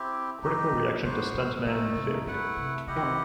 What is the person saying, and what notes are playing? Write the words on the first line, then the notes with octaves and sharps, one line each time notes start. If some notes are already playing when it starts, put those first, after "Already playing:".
Critical reaction to "Stuntman" varied.
Already playing: C4 E4 G4
G2 D#4 G4 D#5
B2
B2 B3 F#4 C5
A2
B2 A3 D#4 A4 D#5
C3
G2 A3 E4 B4 F#5
C3
C3 E4 G4 D#5 F#5
D#3
C3